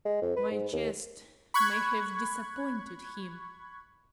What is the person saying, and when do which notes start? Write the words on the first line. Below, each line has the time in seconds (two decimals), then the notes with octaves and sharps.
My chest may have disappointed him....
0.05 G#3
0.22 F2
0.36 B4
0.51 G#2
0.73 D#2
1.54 B5 C#6 F#6 G#6